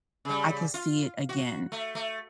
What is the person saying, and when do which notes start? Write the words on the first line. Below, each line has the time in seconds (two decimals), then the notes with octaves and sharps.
I could see it again,
0.25 C#3 G3
0.74 F4
1.29 F#4
1.72 A3
1.95 A3